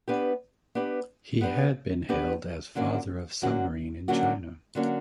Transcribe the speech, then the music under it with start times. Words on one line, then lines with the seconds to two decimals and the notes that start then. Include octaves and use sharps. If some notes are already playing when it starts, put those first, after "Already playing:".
He had been hailed as "father of submarine in China".
0.08 B3 D4 G4 B4
0.75 B3 D4 G4 B4
1.41 B3 D4 G4 B4
2.09 B3 D4 G4 B4
2.75 D3 F#3 A#3 C#4 F#4
3.42 D3 F#3 A#3 C#4 F#4
4.08 D3 F#3 A#3 C#4 F#4
4.75 D3 F#3 A#3 C#4 F#4